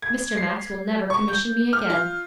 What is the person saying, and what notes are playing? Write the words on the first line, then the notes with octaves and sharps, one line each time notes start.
'Mr. Max will never commission me again.'
G#6
C7
C#6
G6
F6
F4